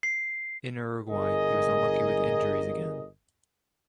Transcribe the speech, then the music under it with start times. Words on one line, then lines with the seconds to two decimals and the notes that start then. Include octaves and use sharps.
In Uruguay he was unlucky with injuries again.
0.03 C7
1.09 G1 G#4 A#4 D#5